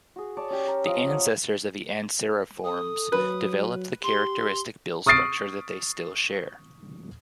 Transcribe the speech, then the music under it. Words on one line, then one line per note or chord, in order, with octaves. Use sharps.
The ancestors of the Anseriformes developed the characteristic bill structure that they still share.
F#4 G#4
C#5 D5 A5
C#4 G4
A#4
F3 D#5 F5
F#5
A4 D#6
F#3 B4
G4 C6
C#6 D#6 F6 A6 C7 D7